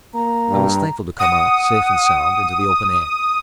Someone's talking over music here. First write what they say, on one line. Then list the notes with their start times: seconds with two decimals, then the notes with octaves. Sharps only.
I was thankful to come out, safe and sound, into the open air.
0.14 A#3 A#5
0.49 G2
1.20 F#5 D#6